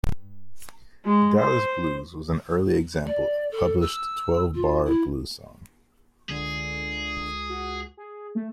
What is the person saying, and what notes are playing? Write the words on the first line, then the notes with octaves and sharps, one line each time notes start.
"Dallas Blues" was an early example of published twelve-bar blues song.
G#3
C5
D5
A4
E6
F4
E4
C#2 D3 G#4
F#4
G#4
A3